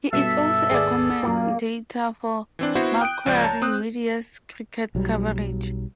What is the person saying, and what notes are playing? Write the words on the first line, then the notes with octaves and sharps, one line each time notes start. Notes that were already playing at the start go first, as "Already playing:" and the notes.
He is also a commentator for Macquarie Media's cricket coverage.
G2 B2 A4 E5
G#1 D#2 B3 G#4 D5
F#2 A#2 A#3
E3 C4 D4
B3 E4 F#4 C5
G5 D#6 F#6 D7
C#2 F3 D5 G6
C#5 A5 A#5
C4 D#6 F#6
B1 F#3 G3